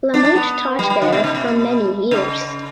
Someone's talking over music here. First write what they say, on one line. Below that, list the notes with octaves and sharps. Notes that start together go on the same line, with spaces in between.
La Motte taught there for many years.
D4
D4
B3
G3
G3
D3
B2
C#3
B2
C#3